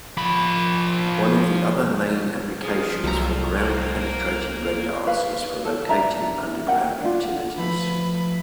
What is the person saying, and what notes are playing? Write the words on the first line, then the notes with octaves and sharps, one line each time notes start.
One of the other main applications for ground-penetrating radars is for locating underground utilities.
F3 B5
F3 G#4
C2 F#3 A3 A#5
D3 A#3 C4 C5
A#3 A#4
G#4 B4 F5
A4
D4 E5 A#5
C#4 A#4 F#5 G5
D4 F4
F3 A3 B4